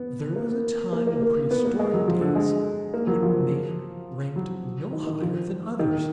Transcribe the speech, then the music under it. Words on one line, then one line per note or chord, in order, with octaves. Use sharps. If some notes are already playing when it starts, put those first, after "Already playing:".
There was a time in prehistoric days when man ranked no higher than others.
Already playing: B3
A#3
A#3
A#3
A#3
B3
A#3
G#3
F#3
F3
D3
G#3
A#3
F#3
F3
F#3
D#3
D#3
F3
D#3